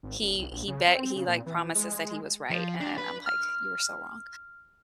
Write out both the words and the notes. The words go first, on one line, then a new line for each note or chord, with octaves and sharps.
he he bet he, like, promises that he was right, and I'm like, "You were so wrong,"
G#1
D#1
C2
A#1
C#3
C4
C#3
A#2
E3
G#3
G#3
F3
D4
B4
F6